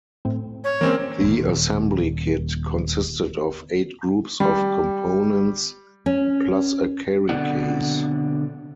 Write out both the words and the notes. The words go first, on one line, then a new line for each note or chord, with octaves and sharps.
The assembly kit consisted of eight groups of components, plus a carry case.
A2 A3 C4
C#5
E3 G#3 A#3 C4 C#4
D#1 A#3
G3
C#4
B2 D3 C4 D5 F#5